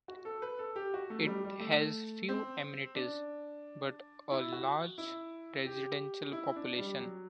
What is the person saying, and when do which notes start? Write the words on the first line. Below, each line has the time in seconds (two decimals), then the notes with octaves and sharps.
It has few amenities, but a large residential population.
0.08 F#4
0.25 A4
0.42 B4
0.59 A4
0.76 G4
0.94 F#4
1.10 A3
1.19 F#3
1.27 G3
1.44 G3
1.60 A3
2.29 C4
2.95 D4
4.31 E4
4.52 F#4
4.98 E4
5.66 G4
6.33 E4
6.56 D4
6.78 G3
7.00 F#3